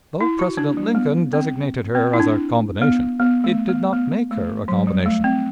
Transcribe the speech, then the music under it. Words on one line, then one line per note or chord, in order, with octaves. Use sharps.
Though President Lincoln designated her as a "combination," it did not make her a combination.
E4
F#4
D4
G3
B3
C4
C4
E4
D4
B3
B3
A3
B3
B3
A3
F#3
G3
A3
C4